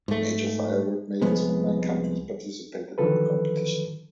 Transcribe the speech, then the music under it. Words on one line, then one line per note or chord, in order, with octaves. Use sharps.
Major firework makers from nine countries participated in the competition.
G#2 A3
C2 F3 G#3 B3
D3 D#3 F3 F#3 A4 B4